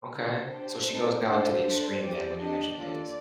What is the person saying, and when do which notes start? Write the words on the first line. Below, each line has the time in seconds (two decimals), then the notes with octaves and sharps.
Okay. So she goes kinda, like, to the extreme then when you mention things.
0.16 D4 A4 C5
0.53 D4 G4
0.91 C4 D#4 A4
1.27 D4 F4 A4 C5
1.64 D4 A4
2.01 C4 G4 D5
2.39 D4 G4 D#5
2.76 D4 F4 A4 D5